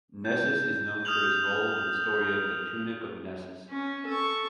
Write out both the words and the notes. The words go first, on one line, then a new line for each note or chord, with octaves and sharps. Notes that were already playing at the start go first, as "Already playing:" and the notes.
Nessus is known for his role in the story of the Tunic of Nessus.
G6
D#6 F6 G6 F7 F#7
C#4
A4 C#6